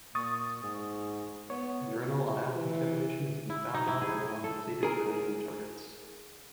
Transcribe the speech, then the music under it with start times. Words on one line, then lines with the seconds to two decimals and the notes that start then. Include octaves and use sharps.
Uranyl ion contamination has been found on and around depleted uranium targets.
0.15 A#2 C#6 D#6 A6
0.63 G#2
1.50 B3 C#5
1.94 B2
2.55 E3
3.50 E4
3.74 D#4
3.88 E4
4.02 G#4
4.44 A4
4.83 G#4 A#4